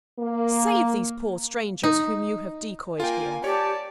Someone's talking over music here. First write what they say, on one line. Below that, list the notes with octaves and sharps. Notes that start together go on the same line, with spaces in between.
Save these poor strangers, whom you have decoyed here.
A#3
D#4
A#3 F4 G5 G#5
G4 C#5 D5 A5